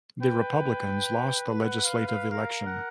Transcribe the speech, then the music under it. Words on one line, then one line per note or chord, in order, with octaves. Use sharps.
The Republicans lost the legislative election.
B4 G5
F#5
F5
F5
A#4 F5
F#5